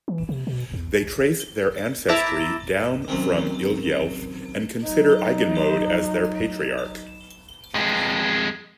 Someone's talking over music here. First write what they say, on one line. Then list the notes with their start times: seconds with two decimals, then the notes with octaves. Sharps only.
They trace their ancestry down from Ile-Ife and consider Iganmode as their patriarch.
0.08 E3
0.29 C3
0.47 B2
0.74 E2
2.08 E4 E5 A5 A#5 D6
3.08 F#2 C3 D#3
4.84 F#3 D#4
7.74 F2 G#3